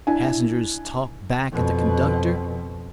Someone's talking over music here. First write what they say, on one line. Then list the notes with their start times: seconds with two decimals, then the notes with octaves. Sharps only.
Passengers talk back at the conductor.
0.07 D4 E4 G#5
1.52 F2 B2